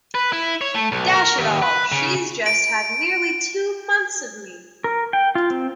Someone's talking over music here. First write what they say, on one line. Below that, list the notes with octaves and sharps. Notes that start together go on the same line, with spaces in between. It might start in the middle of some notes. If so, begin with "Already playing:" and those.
Dash it all, she's just had nearly two months of me.
B4
E4
C#5
A3
B1
A#4
D#2
B4
C#3
D7
A#4
G5
F4
C4